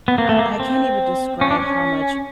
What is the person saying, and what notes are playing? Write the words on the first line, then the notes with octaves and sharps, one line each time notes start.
I I can't even describe how much
B3
A#3
A3
A#3
C4
C#4
D4
C#4